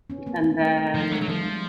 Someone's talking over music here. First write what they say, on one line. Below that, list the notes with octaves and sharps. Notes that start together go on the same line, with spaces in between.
and then,
B3 C#4
A#3 C4
A3 B3
A3
A3
F3 A3
F#3 G#3
F#3
F3 G3
G#3